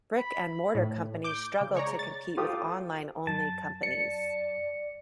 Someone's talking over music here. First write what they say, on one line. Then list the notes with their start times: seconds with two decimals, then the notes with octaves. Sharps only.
Brick and mortar companies struggle to compete with online only companies.
0.17 B5
0.75 A2
1.24 D6 G6
1.61 C#3
1.75 G#3 C#5 D5 A#5
1.99 A6
2.37 F4 G4 A4 C5 D6 D#6
3.27 F#2 A5
3.83 D5 C#7